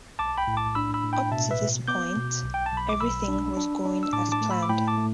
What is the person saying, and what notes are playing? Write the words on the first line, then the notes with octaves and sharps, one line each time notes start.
Up to this point, everything was going as planned.
B1 A5 D6
G5 B5
A2
A5 D6
D4 B5 E6
B5 E6
A2
G5 B5
B2 E5 A5
B4 E5
B2
B3 D6 G6
B2
B1
G5
A5
B1 B5
D6
B1 B5 E6
D4
D4
D4
E6
A2 A5 D6
A5 D6
A3
B5 E6
D6
A2 G5 B5
A5 D6
A3